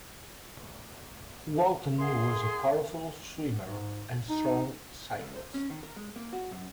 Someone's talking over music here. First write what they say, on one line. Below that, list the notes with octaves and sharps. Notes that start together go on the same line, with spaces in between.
Walton was a powerful swimmer and strong cyclist.
G#4 A#4 E5 F#5 C6
G#2
D#4
C#2
C5
C#4
D#3
A#4
G#3
A#3
F#4
F#2